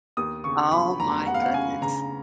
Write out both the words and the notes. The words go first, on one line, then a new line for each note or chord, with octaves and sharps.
Oh my goodness.
D#2 D#6
C#3 C#6
F#3 B5
F1 A#5
D#2 F#5
F5
F#5
C#3 G#5
C#3 A#5